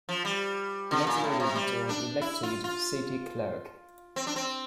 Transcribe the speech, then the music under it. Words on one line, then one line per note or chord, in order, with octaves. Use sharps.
Leslie Reed was elected City Clerk.
F3
G3
D3
A#2
A2
C3
G3
D4
E4
F4
F4
C4
D4
C4